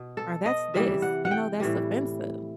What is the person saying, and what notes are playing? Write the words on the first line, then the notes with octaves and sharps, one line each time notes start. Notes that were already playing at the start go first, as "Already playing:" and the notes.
or "That's this," you know, "That's offensive,"
Already playing: B2
A4
D#5
C3 E3 G3 E5
F#5
F#5
G5
A2 E3 G3